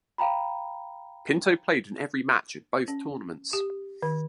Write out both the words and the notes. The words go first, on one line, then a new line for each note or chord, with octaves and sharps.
Pinto played in every match at both tournaments.
F5 G5 A#5 B5
C#4
G4
D#3